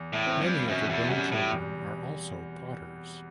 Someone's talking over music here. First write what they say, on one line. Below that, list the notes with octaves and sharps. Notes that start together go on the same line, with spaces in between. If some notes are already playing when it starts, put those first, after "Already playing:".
Many of her grown children are also potters.
Already playing: E2
A2
C4
G2
F#2 B2
E2
F#2 G3
A2
E2